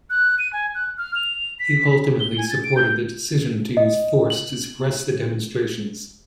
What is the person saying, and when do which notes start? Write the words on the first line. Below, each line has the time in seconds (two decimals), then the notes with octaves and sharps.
He ultimately supported the decision to use force to suppress the demonstrations.
0.10 F#6
0.39 D#7
0.53 G#5
0.75 F#6
0.98 F6
1.15 F7
1.59 B6
2.20 G7
2.38 G#5
2.50 A6
2.64 D7
2.76 G6
3.77 D#5
4.30 F#7